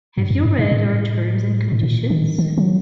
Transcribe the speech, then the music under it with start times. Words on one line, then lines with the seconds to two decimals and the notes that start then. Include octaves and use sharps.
Have you read our terms and conditions?
0.17 G2
0.31 F#2
0.45 G2
0.58 A2
0.72 A2
1.72 A2
1.83 A#2
2.10 D#3
2.38 D#3
2.58 F#3